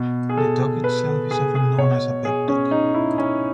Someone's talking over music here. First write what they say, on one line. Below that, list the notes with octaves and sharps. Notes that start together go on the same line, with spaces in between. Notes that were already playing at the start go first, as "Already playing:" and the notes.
The talk itself is often known as a pep talk.
Already playing: B2
G#4
A4
B4
A4
G#4
G#4
B2 C#5
G#4
C#4
D#4
E4
C#4